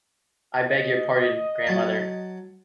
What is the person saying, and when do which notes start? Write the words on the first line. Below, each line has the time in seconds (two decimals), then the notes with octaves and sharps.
I beg your pardon, grandmother.
0.58 D#5
1.67 F#3 A5